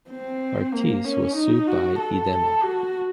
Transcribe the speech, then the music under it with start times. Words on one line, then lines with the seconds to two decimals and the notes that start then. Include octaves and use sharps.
Artis was sued by Idema.
0.10 C4
0.73 A#3
1.04 C#4
1.36 D#4
1.67 F#4
1.99 A4
2.30 A4
2.63 F#4